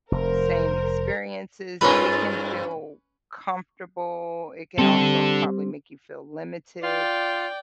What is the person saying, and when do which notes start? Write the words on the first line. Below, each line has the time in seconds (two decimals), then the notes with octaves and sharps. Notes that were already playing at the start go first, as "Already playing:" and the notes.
same experiences, it can feel comfortable, it can also probably make you feel limited,
0.12 F1 A#4 C5
1.81 G2 C#4 F4 A#4 B4
4.78 G3 C4 D4 A4
6.83 F4 D5 G5